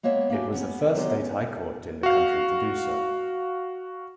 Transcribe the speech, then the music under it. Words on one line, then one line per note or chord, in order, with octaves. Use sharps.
It was the first state high court in the country to do so.
G#3 A#3 B3 C#5 E5
A#3 D4 F#4 G4 E5 G#5
B3 C#4
F#3 B3 C#4 F4 G4
C#4
F#4 F5